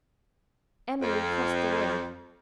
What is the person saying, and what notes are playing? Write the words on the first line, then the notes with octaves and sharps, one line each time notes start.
Emily crossed the room.
F2